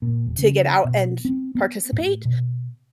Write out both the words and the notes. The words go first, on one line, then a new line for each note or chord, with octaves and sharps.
to get out and participate.
A#2
E1
C#3
B2
C4
B3
A2
B2